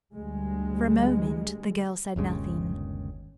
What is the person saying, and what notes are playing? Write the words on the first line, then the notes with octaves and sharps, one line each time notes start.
For a moment the girl said nothing.
D2 G3 G#3
G1 D#2 C#3 G#3